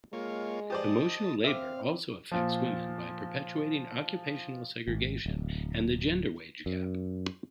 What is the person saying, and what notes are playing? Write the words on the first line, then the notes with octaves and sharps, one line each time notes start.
Emotional labor also affects women by perpetuating occupational segregation and the gender wage gap.
G#3 A#3 F4 C#5
G4 C5 D5 D#5 A5
C4 E5 F5 D6
A#2 F3
G#1
D1
F#2